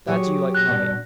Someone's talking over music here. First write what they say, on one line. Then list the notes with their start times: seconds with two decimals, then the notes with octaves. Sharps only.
Glad you like the mummy.
0.07 F#3 G4 G#4 C#5
0.55 F#6 A#6
0.66 E2 G2 B2